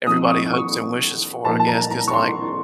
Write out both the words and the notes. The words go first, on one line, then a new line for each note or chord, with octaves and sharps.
everybody hopes and wishes for, I guess, 'cause, like
F3 C4 D#4 D#6
C#6
D#6
C#6
A#2 F3 A#3 D#4 A5
A5
A#5
A#5
C#6
C6